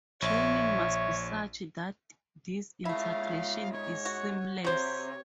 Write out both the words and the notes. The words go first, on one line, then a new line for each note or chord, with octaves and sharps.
Training must be such that this integration is seamless.
A#1 C#5 E5
G#2 A3 E4 E5 F5
C#5
F#4
C3 F#4 C5 C#5